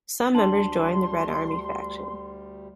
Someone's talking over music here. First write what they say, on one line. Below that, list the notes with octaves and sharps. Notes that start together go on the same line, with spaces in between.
Some members joined the Red Army Faction.
D2 G3 D4 A5 C6 F#7